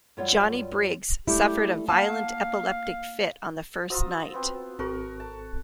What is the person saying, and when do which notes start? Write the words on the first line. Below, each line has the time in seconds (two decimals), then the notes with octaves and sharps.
Johnny Briggs suffered a violent epileptic fit on the first night.
0.17 F#2 G3 F4 C#5 D5 F#5
1.27 G3 A3 E4 G4
1.89 A#3 F5 F#5 A5
3.90 F4 F#4 C5 A#5 D#6 E6
4.34 B3 C4
4.79 G#1 C4 F#4 A4 A#4 C#6
5.20 A5